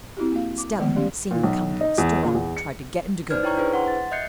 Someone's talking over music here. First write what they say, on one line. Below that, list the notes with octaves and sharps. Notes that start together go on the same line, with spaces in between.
Stella, seeing the coming of the storm, tried to get him to go.
C4 E4 F#4 G4
A#3 F#4 F5
D6
D3 D#3 F3 G#3 A3 B3
F#3 G3 C#4 G4 D5
A#2
B1
D#4
E2
A#2
E2
C#7
D#4 B4 C5 D5 F6 G#6
E4 C#5 G5 A#5 C#6 G#6
D4 E4 G#4 B4 C5
F#5 C6
A6
D#5 E5 F#6 G6 C7 C#7